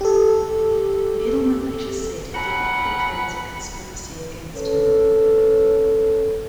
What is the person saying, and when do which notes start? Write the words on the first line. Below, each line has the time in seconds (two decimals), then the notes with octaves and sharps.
Needleman later said he did not think there was a conspiracy against him.
0.01 G4 A4
2.34 D#2 F#3 F#5 B5
4.55 C#4 A4 B4 C#5